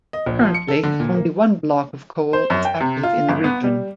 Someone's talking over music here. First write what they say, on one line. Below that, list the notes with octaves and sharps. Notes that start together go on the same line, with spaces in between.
Currently only one block of coal is active in the region.
D#5
A#1
F3
C#7
A4
D3
A#2
A#3
C5
F#2
G5
C3
F4
G1
B3
G3